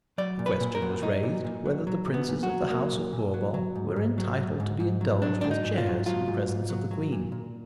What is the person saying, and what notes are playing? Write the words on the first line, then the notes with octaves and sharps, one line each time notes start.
A question was raised whether the Princes of the House of Bourbon were entitled to be indulged with chairs in the presence of the Queen.
F#3 D5
A#2
B4
A#2
A#4
F#3
F#3 D#4
A#2
A#2
F#3
F#3
A#2
B3
A#2
F#4
F#3
F#3 A#3
A#2
A#2
F#3
F#3
G#2
G#2
F#3
F#3
G#2
G#2
F#3
F#3 D4
G#2 D4
D#4
G#2
F4
F#3
F#3 F4
G#2
G#2
F#3
F#3
A#2
A#2